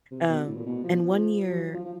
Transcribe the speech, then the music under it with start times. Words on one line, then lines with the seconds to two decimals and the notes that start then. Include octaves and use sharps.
Um, and one year,
0.11 C3
0.29 B2
0.47 A2
0.57 A#2
0.66 B2
0.83 F3
1.49 F#3
1.57 F3
1.74 F3
1.85 F3